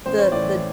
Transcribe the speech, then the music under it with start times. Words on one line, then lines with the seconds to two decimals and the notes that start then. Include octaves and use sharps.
the the
0.06 A1 C5
0.18 C#5
0.32 A2 E3 D5